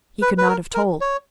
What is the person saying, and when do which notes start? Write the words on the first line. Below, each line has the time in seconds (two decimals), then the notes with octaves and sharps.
He could not have told.
0.22 B4
0.38 B4
0.48 A#4
0.74 A#4
1.01 C#5